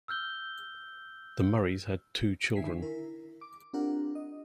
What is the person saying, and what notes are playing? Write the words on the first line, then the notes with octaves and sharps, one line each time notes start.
The Murrays had two children.
E6 F6 G6 G7
D3 D#3 E5 G#5 B6 C7
E4 A#4
D6
C4 D4 F4 G4 A#4 F#5
D#5